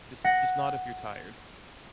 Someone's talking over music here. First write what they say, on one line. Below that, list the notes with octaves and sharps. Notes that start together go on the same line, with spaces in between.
Just just not if you're tired,
F#5 A#6